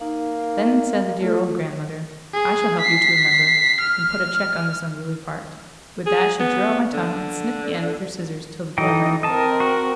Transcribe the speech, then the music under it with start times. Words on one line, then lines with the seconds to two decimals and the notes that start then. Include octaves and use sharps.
Then said the dear old grandmother, 'I shall help you to remember, and put a check on this unruly part,' with that she drew out my tongue and snipped the end with her scissors till the blood ran.
0.01 A#3 D#4
1.20 A3 F4 A4
2.33 G#4
2.80 B6 C7
3.81 F6
6.06 G#4
6.40 B3
6.94 D3
8.78 E3 D#4 A4 D#5 G5
9.23 C4 A#4 D#5 A5
9.60 F#4